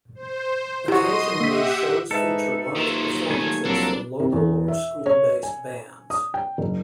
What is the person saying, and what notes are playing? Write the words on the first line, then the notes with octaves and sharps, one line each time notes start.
Occasionally, shows feature live performances from local or school-based bands.
C5
C3 E4 F#4 G4 D#5 C6 D#7
A#3 G4 E5 F#5 B6
G#2 D#4 A4 B4 E5
D#2 F3 F#3
D#3 A3 G#5
C2 F3 F#3 A#3 D4 A4 A#4
C3
E2
E5
C#5
G#5
D#6
G5
F#1